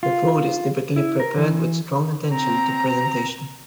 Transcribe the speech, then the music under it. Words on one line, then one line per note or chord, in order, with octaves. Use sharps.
The food is typically prepared with strong attention to presentation.
F4
E4
A#4
E3
C4 A#5